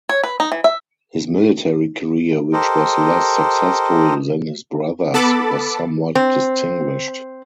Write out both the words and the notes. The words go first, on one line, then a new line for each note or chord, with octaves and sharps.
His military career, which was less successful than his brother's, was somewhat distinguished.
C#5
B4
D#4
E3
E5
G4 A4 A#4 C5 D#5
B3 A4 A5 B5 D6 A6
C4